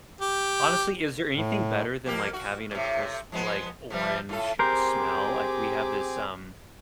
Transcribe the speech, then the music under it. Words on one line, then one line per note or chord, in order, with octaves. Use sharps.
honestly, is there anything better than like having a crisp, like orange smell? Like we have this um,
G4
A2
F2 A#3 G4
F#4
A2 C3
F3 G#3 B3
C3 F3 G3
A2 F4 A4
C4 G4 G#4 A#4 C5 D6